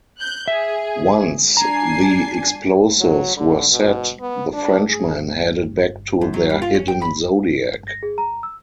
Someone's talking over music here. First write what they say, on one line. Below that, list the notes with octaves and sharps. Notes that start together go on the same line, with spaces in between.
Once the explosives were set, the Frenchmen headed back to their hidden Zodiac.
F#6 G6
G#4 E5
D4 G#5 A#5 C7
F#3
D3
B2
B3
D4
G#4
F#2
F#3
G3
F4
C#4
G5
B5
A#6
G#4
A#5
E6